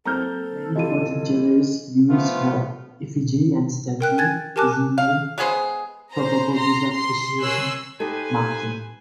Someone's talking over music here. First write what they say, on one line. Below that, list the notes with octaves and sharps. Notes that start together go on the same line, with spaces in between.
Many fortune tellers used her effigy and statue, presumably for purposes of association marketing.
F#3 A#3 C4 A4 A#5 F6 G6
E3 F4 G4 D#5 D#7
F3 A3 B3 F4
A#4 G5 F#6
G#5 G#6 A6
G4 A#4 G#5 A5 D6 F#6
F5
G#3 B3 G#4 C5
C5 A#5
A#5 C6
C6
A#4 C#5 G#5 C6 E6 F#6
D#4 G4 A4 B4 C5 G#5